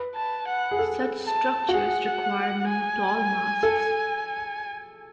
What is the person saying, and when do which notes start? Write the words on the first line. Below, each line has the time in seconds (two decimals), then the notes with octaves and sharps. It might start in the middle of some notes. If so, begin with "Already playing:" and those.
Such structures require no tall masts.
Already playing: B4
0.15 A5
0.48 F#5
0.71 G#4
0.79 A4
1.27 A5
1.68 F#4
1.73 G#4 F#5
2.68 G#5
3.63 A4